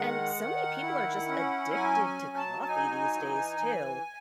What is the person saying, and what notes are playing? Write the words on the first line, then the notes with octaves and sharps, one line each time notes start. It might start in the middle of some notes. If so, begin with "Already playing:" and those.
And so many people are just addicted to coffee these days, too.
Already playing: D#3 G#3 F#5
D#3
E4
C#4
F#3 G#5
G#5
F#3
A5
A5
D#4 G#5
E3
E3